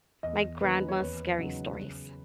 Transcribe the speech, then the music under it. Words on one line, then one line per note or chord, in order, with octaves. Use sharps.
my grandma's scary stories,
E2 D#5
D#3 A#3 C#4 B4
C#5
E2 B4
C#3 F#3 B3 D#4
C#3